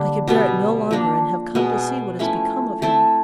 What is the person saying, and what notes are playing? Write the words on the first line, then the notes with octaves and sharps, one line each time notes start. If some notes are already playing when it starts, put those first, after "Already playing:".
I could bear it no longer and have come to see what has become of him.
Already playing: D3 G3 A#3 D4
B2 G3 B3
F3 A#3 D4
B2 G#3 B3
F3 A3 C#4 E4
A3 C4 E4 A4